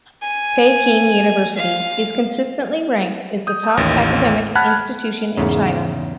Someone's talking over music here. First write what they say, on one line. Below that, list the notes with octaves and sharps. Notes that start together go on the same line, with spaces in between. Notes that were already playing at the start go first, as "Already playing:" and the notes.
Peking University is consistently ranked as the top academic institution in China.
G#5
F5
D#6 G6
A1 D#2
F#5 A5 B5 F6 F#6 G#6
E2 G#2 C#3